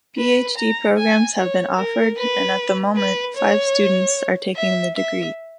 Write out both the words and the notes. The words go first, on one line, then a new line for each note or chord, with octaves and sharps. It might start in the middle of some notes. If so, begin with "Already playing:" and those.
Ph.D.-programmes have been offered and at the moment five students are taking the degree.
B4
A#5
G#5
C#5
A#4
B4
B4
C#5
E5
E5